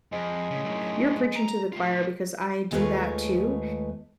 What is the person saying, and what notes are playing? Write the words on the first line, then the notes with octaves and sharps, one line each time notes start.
You're preaching to the choir because I do that too.
F2 G#3
A2 C#3
F#2 A2
A#5
A2 F4
D#2 G#3 A3 F4 B4 C#5